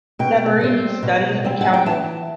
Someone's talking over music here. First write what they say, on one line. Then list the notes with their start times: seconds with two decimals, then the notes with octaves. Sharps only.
Severini studies accounting.
0.19 B2 G5
0.61 G3 C4
1.02 B2
1.44 G3 C4
1.61 F#5
1.74 G5
1.86 E3 A5